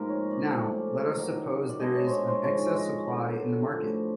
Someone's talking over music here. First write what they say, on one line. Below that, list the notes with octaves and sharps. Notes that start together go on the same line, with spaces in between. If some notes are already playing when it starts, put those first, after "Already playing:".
Now, let us suppose there is an excess supply in the market.
Already playing: G#2 F3 A#3 A#4
C#5
D5
F#2 C#3 F3 A3 D5
F#2 D#3 F#3 A#3
D5
B2 G#3 B3 D4 D#5
C#5
C5 C#5
C5
G#2 F3 G#3 C#5
D#5
D3 F#3 B3 D5
A2 F3 A3